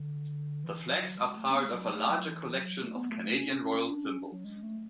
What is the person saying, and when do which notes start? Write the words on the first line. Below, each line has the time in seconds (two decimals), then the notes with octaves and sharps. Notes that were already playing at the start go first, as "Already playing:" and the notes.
The flags are part of a larger collection of Canadian royal symbols.
Already playing: D3
0.64 E3
0.91 F#3
1.18 G#3
1.37 A3
1.50 C#4
1.55 B3
1.65 G#3
1.74 F#3
1.92 A3
2.10 F#3
2.28 E3
2.54 F#3
2.82 A3
2.96 B3
3.10 A3
3.22 A3
3.37 C#4
3.64 C#4
3.91 D4
4.05 C#4
4.32 F#3
4.45 G#3
4.63 A3